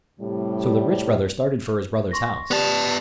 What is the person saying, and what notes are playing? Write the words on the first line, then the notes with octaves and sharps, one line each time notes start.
So the Rich Brother started for his brother's house.
A2 C3 G3
C6 C#6 A#6
B3 G4 D5 A5 F7